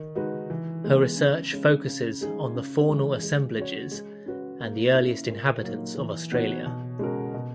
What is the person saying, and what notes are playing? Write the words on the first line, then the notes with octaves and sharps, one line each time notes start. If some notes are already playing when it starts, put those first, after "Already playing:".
Her research focusses on the faunal assemblages and the earliest inhabitants of Australia.
Already playing: D#3
G#3 D#4 F#4 B4
E3
G#3 B3
C#3
G#3 C#4
C#3
G#3 D#4 G#4
C#3
E3 G#3
G#3
C#4 F#4 C#5
G#3
C#4 F#4 B4
A#3
C#4 E4
A#2
F#3 A#3 D#4
E3
B3 D#4 F#4 C#5
B2
G#3 C#4 F#4 A#4
B2